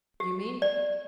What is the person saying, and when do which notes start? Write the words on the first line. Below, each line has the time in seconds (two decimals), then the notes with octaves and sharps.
"You mean?"
0.20 G4
0.62 D5